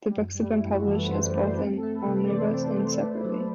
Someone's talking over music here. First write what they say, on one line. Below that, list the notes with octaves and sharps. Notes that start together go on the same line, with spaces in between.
The books have been published as both an omnibus and separately.
G3
F#2 F#3
G3
A3
E4
F#2 F#4
E3 A4
B4
C5
F#2
D5
A3
C5
C4 B4
A4
A3
B4
C3
D5
E3 C5
D5
C4
C5
A3
A4
A3
F#3